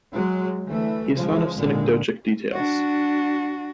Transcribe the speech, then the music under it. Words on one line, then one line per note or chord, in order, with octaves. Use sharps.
He is fond of synecdochic details.
F#3 G#3
D2 E3 A3
C#3 F3 G#3
G#1 A#2 D3 G#3
D4 F#4